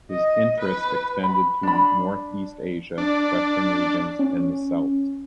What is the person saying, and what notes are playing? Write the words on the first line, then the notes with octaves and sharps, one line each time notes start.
His interest extended to Northeast Asia, Western Regions, and the Celts.
D#5
B4
B5
D4 B5
D4
C#4